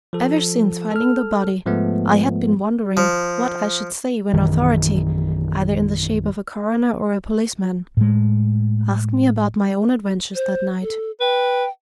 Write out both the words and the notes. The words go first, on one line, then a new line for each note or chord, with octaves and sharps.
Ever since finding the body, I had been wondering what I should say when authority, either in the shape of a coroner or a policeman, asked me about my own adventures that night.
F3 A4
A4 F6
G#2 F3 G#3 A3 B3
F3
A#1 F#2 D#3 E3
A2 G#3
C5
A4
B4 G5